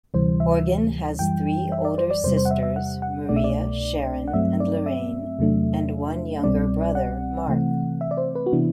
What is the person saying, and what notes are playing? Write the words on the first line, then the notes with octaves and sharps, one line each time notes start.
Horgan has three older sisters Maria, Sharon and Lorraine and one younger brother, Mark.
D2 C3 E3 G3 C5
E5
F#2 E3 G3 G5
E5
D5
C5
D5
E2 C3 G3 C5
C5
F#5
E5
E5
F#5
F#5
C2 B2 A3 D4 D5
E5
D5
F#5
G2 F#3 A3 C4 E5
D5
E5
E2 C3 F#3 A3 D4
C2 B2 G3 C4 D5
F#5
C3 E3 A3 C4
E5
D5
C5
B4
F#4
C3 E3 B3 D4 E4